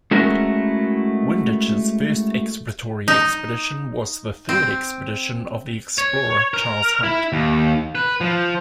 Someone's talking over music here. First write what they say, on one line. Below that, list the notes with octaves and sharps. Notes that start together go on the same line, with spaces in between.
Windich's first exploratory expedition was the third expedition of the explorer Charles Hunt.
G#3 A3 C#4 E4 F#4 A#4
D#4
C4
C#5
A#4
E4
D#2
B4
F3